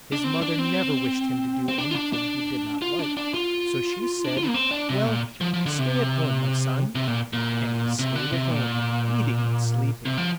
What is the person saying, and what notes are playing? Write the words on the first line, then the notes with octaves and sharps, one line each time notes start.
His mother never wished him to do anything he did not like, so she said: 'Well, stay at home, my son.' And he stayed at home, eating and sleeping.
D4
C4
D4
C4
C4
D4
F4
D4
D4
F4
D4
D4
F4
D4
F4
A#3
C4
D4
C3
A#2
F3
F3
D3
C3
C3
A#2
A#2
C3
D3
C3
A#2
C3
F3